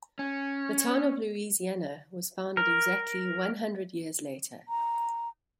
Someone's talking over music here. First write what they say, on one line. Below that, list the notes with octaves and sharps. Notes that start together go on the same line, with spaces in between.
The town in Louisiana was founded exactly one hundred years later.
C#4
A#4
A#5